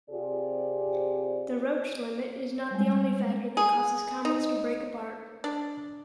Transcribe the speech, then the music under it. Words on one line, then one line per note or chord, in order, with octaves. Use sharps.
The Roche limit is not the only factor that causes comets to break apart.
C3 C4 F4 G4 G#4 D5
G3 G#3
G#4
D#4
D4